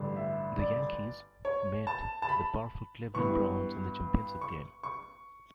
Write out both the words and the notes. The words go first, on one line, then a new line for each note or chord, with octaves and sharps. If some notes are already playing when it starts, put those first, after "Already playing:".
The Yankees met the powerful Cleveland Browns in the championship game.
Already playing: A1 G2 D3 G3 D4
E5
D5
C#5
A5
A5
B5
G2 E3 B3 C#6
C#6
C#6